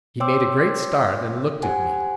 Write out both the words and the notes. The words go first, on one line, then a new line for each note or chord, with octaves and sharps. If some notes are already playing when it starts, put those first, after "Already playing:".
He made a great start and looked at me.
C5 C#5 G5 C6 D6 E6
G4 C5 F#5 G#5